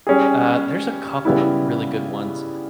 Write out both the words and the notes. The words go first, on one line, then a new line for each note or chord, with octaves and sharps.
uh, there's a couple really good ones.
G3 C#4 G#4
C#3 G3 B3 E4